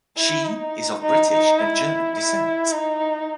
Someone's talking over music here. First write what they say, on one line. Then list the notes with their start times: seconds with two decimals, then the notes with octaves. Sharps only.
She is of British and German descent.
0.17 E4
0.46 D#4
1.03 D#4
1.31 D#4
1.59 E4
2.16 E4
2.72 D#4